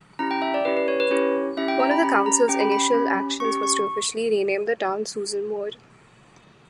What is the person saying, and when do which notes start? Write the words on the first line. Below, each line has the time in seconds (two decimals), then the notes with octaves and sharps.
One of the council's initial actions was to officially rename the town Susan Moore.
0.19 C#4 E4 G4 A#5
0.31 G5
0.42 E5
0.54 D5
0.65 C#4 E4 G4 B4
0.77 B4
0.88 C#5
1.00 B4
1.10 C#4 E4 G4 C#5
1.57 C#4 E4 G4 E5
1.68 G5
1.80 A#5
1.91 B5
2.02 C#4 G4 B5
2.26 A#5
2.48 C#4 G4 G5
2.60 B5
2.72 B5
2.83 B5
2.94 C#4 G4
3.40 C#4 G4 C#6
3.63 C#6